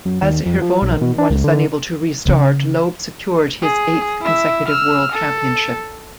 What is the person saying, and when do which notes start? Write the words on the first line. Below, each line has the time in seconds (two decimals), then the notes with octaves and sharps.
As Hirvonen was unable to restart, Loeb secured his eighth consecutive world championship.
0.05 F#2
0.22 D#2
0.46 F2
0.62 F3
0.82 B1
1.01 B2
1.18 D4
1.30 C#2
1.44 D3
2.25 C#3 C#4
3.62 G#4
4.21 E4 E5
4.68 E6 F6
5.12 A4